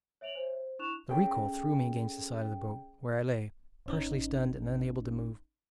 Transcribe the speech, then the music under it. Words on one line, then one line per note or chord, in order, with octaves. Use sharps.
The recoil threw me against the side of the boat, where I lay, partially stunned and unable to move.
C#5 E5 D7 F7 F#7
C5 C#5 E5 G#5
C5
D4 E4 C#6 F#6 E7 F7
C#4 G#4 A4 G5
G#1 C#4 D#4